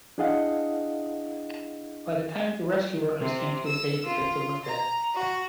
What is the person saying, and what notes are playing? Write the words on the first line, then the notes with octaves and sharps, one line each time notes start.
By the time rescue workers came to his aid, the victim was dead.
D4 E4 G#4 D#5 F5 F#5
C3
E6
F4
A#5
F#4